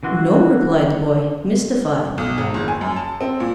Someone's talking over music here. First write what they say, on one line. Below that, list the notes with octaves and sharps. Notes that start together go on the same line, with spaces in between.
"No," replied the boy, mystified.
C#3 E3 F#4 C6
B1
G#1
F#1
G#5
F#2
A5
C4
A#2